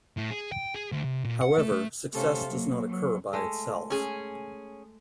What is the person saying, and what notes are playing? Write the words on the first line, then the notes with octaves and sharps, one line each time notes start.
However, success does not occur by itself.
A2
G#4
G5
G#4
D2
C3
A#2
F#5
A3
A3
C3 A3 C#4 A4 C5 F5
F#3 A#3
F#3
G#3 A3
C#4 G#4